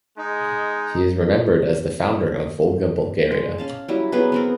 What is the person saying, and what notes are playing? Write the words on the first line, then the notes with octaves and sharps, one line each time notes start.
He is remembered as the founder of Volga Bulgaria.
G#3 D#4
G#3
C#4 F5 A5
F#3 G3 E4
F#3 B3 G#4 B4
B3 C4 A#4